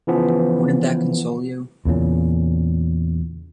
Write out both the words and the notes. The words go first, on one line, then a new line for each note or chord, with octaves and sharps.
Wouldn't that console you?
C#3 E3 F3 B3
E2 A#2 C#3